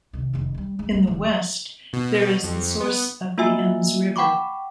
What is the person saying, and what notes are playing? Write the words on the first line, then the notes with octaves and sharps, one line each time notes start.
In the west there is the source of the Ems river.
C3 D#3
F1 D#3
F3 G3
G#3
F#3 A3
D#1 D#2
B2
F2
B3
A#3 F4 F#4 E5 G#5 E6
F#5 G5 B5 C#6 D6